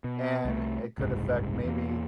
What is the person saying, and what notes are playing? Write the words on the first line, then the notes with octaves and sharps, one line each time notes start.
and it could affect, maybe,
B2
C2 A3
F#1 C2 G#2
E2 A#3